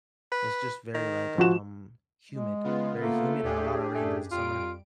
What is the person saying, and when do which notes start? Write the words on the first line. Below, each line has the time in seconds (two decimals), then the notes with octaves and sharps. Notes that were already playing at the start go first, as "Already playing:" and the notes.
it's just very like, um, humid, very humid and a lotta rain in the summer.
0.32 B4
0.94 D#3
1.38 F3 F#4 E7
2.32 G#3
2.64 C#3 B3 F4
3.01 A3 A#3
3.44 D#2 D4 G4 G#4
3.94 F#2 A3
4.31 F2 G3 F4 D7